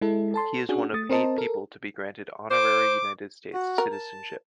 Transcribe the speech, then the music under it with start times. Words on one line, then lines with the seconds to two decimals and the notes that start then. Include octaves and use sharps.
He is one of eight people to be granted honorary United States citizenship.
0.01 G#3 E4 A4
0.34 A4 A5 C6
0.69 C#4 D4 F#4 G#4
0.94 A3 D#6 A6
1.10 C4 A#4 C5 D#5 A5
1.38 A4 A#4
2.50 C5 D6
3.54 F#4
3.78 A#4
3.92 A5